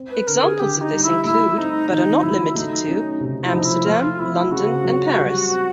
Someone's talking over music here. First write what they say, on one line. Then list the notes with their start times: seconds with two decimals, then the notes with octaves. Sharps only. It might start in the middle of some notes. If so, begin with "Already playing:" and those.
Examples of this include, but are not limited to, Amsterdam, London, and Paris.
Already playing: C4
0.11 B4
0.27 D3 A#4
0.43 G#4
0.60 D3 G4
0.81 D#4
0.92 G3
1.03 E4
1.25 A3 E4
1.58 C4 D#4
1.90 D#3 D#4
2.18 D#4
2.22 F#3 E4
2.55 A3 D#4
2.88 C#4
3.20 C3
3.43 E4
3.53 F3 D#4
3.65 E4
3.86 A3 F4
4.19 C4 E4
4.51 C#3 F#4
4.84 F#3
5.17 G3
5.49 C4